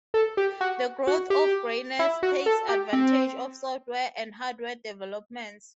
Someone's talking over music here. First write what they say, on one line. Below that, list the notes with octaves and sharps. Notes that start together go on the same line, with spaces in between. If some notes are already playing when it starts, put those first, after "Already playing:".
The growth of greynets takes advantage of software and hardware developments.
A4
G4
F#4
F#4
G4
E4
F#4
A4
G4
C4